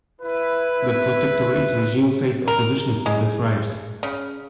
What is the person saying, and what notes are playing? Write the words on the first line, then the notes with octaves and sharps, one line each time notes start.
The protectorate regime faced opposition from the tribes.
E4 B4
A#4
G#3
C#3